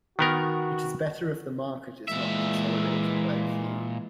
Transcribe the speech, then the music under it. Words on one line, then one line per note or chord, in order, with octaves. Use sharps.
It is better if the market is not consolidated by the few.
D#3 B3 F#4 A#4
A#2 E3 G#3 E5